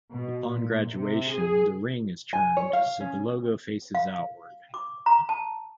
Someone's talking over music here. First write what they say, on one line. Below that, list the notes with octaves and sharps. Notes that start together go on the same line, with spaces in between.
Upon graduation, the ring is turned so the logo faces outward.
B2
A#2
C3
G#4
G#5
C#5
F5
C#4
F5
D6
A#5
A5